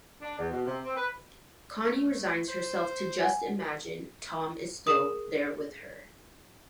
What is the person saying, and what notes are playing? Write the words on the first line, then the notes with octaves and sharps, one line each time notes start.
Connie resigns herself to "Just Imagine" Tom is still there with her.
D4
E2
B2
C3
C4
B4
A3
C5
F#5 G#5
G#4 A#4 D#6